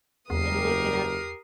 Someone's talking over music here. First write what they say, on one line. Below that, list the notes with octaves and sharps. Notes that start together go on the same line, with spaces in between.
and looking at
F#1 E2 G4 A#4 D#6 C7